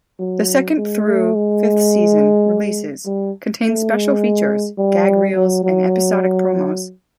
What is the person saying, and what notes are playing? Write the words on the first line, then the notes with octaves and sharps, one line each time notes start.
The second through fifth season releases contain special features, gag reels and episodic promos.
F#3
G#3
A3
G#3
G3
A3
G#3
G3
F#3
F#3